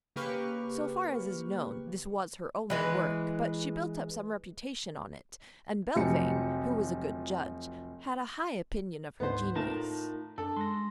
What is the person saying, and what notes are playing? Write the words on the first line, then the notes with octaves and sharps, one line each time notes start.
So far as is known, this was her only work, but she built up some reputation on it, and Belvane, who was a good judge, had a high opinion of her genius.
C#3 A#3 G4 B4 C#6 F6
E3 G#3 B4
F1 F3 F#3 G4 C#7
D2 G#2 B3 C5
A2 D#4 F4 A#4 A5
F#2 D4 A4
G#3 C6 A#6